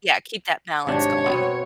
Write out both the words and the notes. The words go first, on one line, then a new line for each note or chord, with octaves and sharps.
yeah, keep that balance going,
G#1 C3 D4 C#5
B2 B3 C4